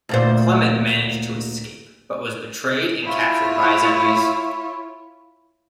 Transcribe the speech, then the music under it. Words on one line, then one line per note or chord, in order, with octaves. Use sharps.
Clement managed to escape, but was betrayed and captured by his enemies.
D2 A#2 C5
E4 F4 C#5